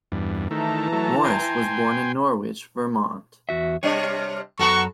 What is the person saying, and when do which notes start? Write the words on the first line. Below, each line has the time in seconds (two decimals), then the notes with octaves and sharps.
Morris was born in Norwich, Vermont.
0.12 E2 G2
0.51 D#3 E3 A3 A5 A#5
0.92 F#3 A3
1.25 G5 G#5 C6
3.49 E2 F#4 E5
3.83 C3 G3 D4 C#5
4.59 F#2 B3 F#4 A4 A#5 C#6